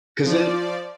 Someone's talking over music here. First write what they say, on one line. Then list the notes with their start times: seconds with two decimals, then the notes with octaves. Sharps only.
'Cause then
0.24 F3 D5